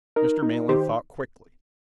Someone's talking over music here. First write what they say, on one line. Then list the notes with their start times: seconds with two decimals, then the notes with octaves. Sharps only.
Mr. Manley thought quickly.
0.16 D#4 A#4
0.43 D#4
0.69 D#3 G4 C5